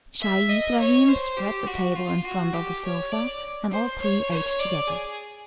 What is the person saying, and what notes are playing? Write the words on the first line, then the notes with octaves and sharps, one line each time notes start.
Scheih Ibrahim spread the table in front of a sofa, and all three ate together.
E5
D#5
C#5
C5
G4
F#4
F4
F#4
G4
C#5
D5
C5
C#5
C#5
D5
G#4